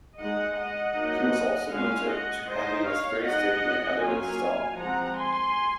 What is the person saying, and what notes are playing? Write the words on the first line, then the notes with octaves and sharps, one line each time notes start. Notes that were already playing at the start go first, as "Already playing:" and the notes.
He was also noted to having a very steady and elegant style.
G#3 D#4 D#5 F#5
D#5 F#5
F#3 A#3 D#4
G#3 C#4 F4 F5 G#5
D#5 F#5
G#3 D#4 C5 D#5
C#5 F5
G#3 D#4 D#5 F#5
F#3 A#3 C#4 F4 F5 G#5
F3 G#3 C4 F#5 A#5
G#5 C6